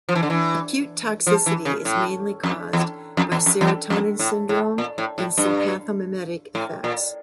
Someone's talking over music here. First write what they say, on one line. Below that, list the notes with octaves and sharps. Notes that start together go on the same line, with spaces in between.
Acute toxicity is mainly caused by serotonin syndrome and sympathomimetic effects.
F3
E3
D3
E3
F3
E3
C#3
A2
F2
E2
F2
E2
F2
E2
F2
A2
A2
A#2
A2
A2
G2
A2
A#2